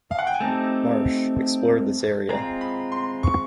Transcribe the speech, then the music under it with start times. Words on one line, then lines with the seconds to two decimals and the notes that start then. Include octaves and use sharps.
Marsh, explored this area.
0.11 F5
0.19 F#5
0.27 G5
0.34 G#5
0.41 A3 C4 D#4 G4 A5
2.29 G#3 C4 F4 A#5
2.61 B5
2.92 C6
3.23 C#6